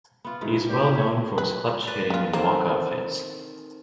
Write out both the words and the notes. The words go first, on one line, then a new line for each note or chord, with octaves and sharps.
He was well known for his clutch hitting and walkoff hits.
B3 F4
G#2 B2 E3
D2 D3 G4
A#3 C5
A3 C#4 C#5
B4
B4 D5
A#3 F4
D#3 A#3 C4 A4